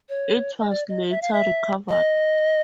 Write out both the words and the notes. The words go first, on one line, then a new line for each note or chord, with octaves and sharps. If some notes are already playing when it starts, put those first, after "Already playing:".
It was later recovered.
C#5
D#5
D5
D#5
E5
F5
E5
D#5